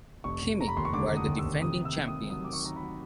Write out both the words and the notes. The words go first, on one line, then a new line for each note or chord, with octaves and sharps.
Khimik were the defending champions.
F1 C#6
F1
F1 A#5
B5
D#2 C6
C#6
D3 D6
D3
D#6
D#2
E6
D#2
C3 D#6
C3
E6
D#3
D#6
C3
F#3 D#6
D#3 D6
C#6
D#3 A#5
B5
F#3